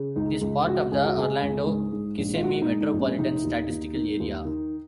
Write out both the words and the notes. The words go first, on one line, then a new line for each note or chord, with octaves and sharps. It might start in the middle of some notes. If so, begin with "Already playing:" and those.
It is part of the Orlando-Kissimmee Metropolitan Statistical Area.
Already playing: C#3
C#2 D#4
C#2
C#2 F#4
C#2 G#4
F#4
C#2 G#4
C#2
G#2
G#2
A#1
F4
G#2 F#4
D#4
G#2
D#4
A#1
C#4
F1 D#4
D#2
D#2
D#3
D#2
D#3